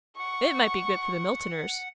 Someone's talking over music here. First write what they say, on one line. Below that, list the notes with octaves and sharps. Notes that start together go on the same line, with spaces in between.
'It might be good for the Miltoners.
F#5 C#6